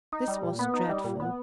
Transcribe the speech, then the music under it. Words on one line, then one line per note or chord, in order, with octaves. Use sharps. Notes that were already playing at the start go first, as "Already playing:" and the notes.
This was dreadful.
D#4
G3
A#2
B3
D#4
G3
A#2
B3